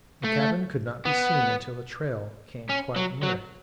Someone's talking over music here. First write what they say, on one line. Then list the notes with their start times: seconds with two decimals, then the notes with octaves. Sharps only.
The cabin could not be seen until the trail came quite near it.
0.24 A3
1.06 B3
2.69 C#4
2.96 F#3
3.23 F#3